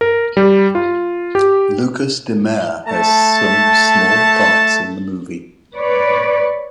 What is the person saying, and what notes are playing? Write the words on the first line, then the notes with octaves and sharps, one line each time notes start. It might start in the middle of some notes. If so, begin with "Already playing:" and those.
Lucas Demare has some small parts in the movie.
A#4
G3
F4
G4
A3 A5
B4 C#5 D5